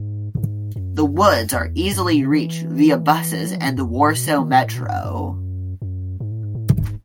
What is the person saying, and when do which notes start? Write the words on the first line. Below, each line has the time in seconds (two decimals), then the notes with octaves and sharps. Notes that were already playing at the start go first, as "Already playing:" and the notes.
The Woods are easily reached via buses and the Warsaw Metro.
Already playing: G#2
0.37 G#2
0.76 F#2
1.53 E2
1.92 F#2
2.03 G#2
2.12 B2
2.22 C#3
2.32 E3
3.04 D#3
3.10 E3
3.48 F#3
3.58 E3
3.68 B2
3.77 F#2
3.87 E2
3.97 G#2
4.07 A2
4.16 B2
4.26 D#3
4.38 D#3
4.53 B2
4.64 A2
4.75 B2
4.85 G#2
4.94 F#2
5.04 F#2
5.82 F#2
6.20 G#2
6.31 A2
6.43 G#2
6.55 A2
6.67 G#2